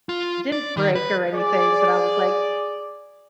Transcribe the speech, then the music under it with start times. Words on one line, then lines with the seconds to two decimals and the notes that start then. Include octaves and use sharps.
It didn't break or anything, but I was like,
0.09 F4
0.52 D5
0.77 D#3
0.95 B4
1.34 G#4 D5